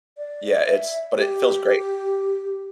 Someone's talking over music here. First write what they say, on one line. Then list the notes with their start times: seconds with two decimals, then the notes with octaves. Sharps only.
yeah, it's but it feels great.
0.18 D5
0.66 E5
1.18 G4